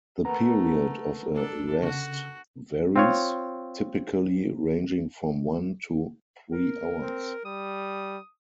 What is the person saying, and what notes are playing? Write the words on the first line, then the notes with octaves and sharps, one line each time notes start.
The period of a "rest" varies, typically ranging from one to three hours.
A3 A#4 B4 F#5 A#5
D4 A4
C#3 F#4
C4 F4 C#5
A#4
C4
G3 D#6